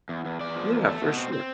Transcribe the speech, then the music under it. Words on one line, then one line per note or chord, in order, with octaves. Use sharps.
Yeah, for sure.
E2
E2
E2 D5
F3
E2
A3
B2
C4
C4